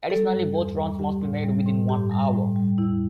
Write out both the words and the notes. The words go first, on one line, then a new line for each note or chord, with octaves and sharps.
Additionally both runs must be made within one hour.
G3 A4
G2
E2
G3
G3 G4
A2
G3
A2
G2 G4
G3
A2
G3
E2 E4